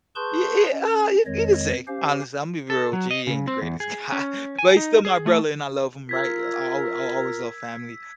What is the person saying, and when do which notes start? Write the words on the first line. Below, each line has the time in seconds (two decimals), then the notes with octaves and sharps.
Y y ah, you you can say. Honestly, Imma be real with you, he ain't the greatest guy. But he's still my brother, and I love him, right? I'll al I'll always love family.
0.15 G#4 B4 A5 C6 C#6 G6
0.71 C#4
1.26 F2 D#3 G#3 C#5 D#5
1.88 C#4 G4 C5 F5
2.70 A4
2.93 F#3
3.11 D#5
3.27 C#3
3.47 C4
3.62 E2
3.80 G#4
4.12 C#4
4.59 G#5
4.77 D#4
5.05 G#4
5.26 A3
6.09 F4 A#4 E6 G#6 B6